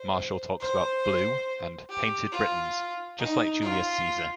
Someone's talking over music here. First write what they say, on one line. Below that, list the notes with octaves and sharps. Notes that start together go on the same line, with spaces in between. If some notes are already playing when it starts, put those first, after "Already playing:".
Martial talks about "blue" and "painted Britons", just like Julius Caesar.
Already playing: C5
C5
G4
F4
D#4
F4